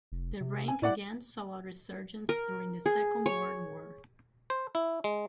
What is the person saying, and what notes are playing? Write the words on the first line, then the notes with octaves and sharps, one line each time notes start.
The rank again saw a resurgence during the Second World War.
F1
C3
G#5
A2 E4 D5 F#5
A#4
G#4
C#5
C5
E4
G#3